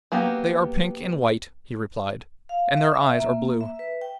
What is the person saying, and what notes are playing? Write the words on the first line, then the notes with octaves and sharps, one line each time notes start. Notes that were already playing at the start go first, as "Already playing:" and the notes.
'They are pink and white,' he replied, 'and their eyes are blue.'
F#3 A#3 B3 G4
F5
E5
E5
A#3
E5
B4
G5